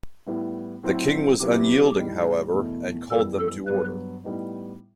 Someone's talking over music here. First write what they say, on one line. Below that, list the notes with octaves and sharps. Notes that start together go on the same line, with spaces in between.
The King was unyielding, however, and called them to order.
A2 G3 B3 E4
A2 F#3 C4 E4
C3 F#3 B3 E4 G4
A2 G3 D#4
E2 B2 A3 E4
F#2 E3 G3 B3 A4
A4
G2 F#3 B3 B4
A2 G3 B3 D#4